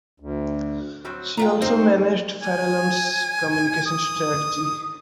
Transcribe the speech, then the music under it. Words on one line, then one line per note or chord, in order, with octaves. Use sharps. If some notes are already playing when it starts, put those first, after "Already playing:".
She also managed Farallon's communication strategy.
D2
F#3 G3 C4
D#2 A#2 F5 G5 A#5
C4 D#4 C5
G#5
D#6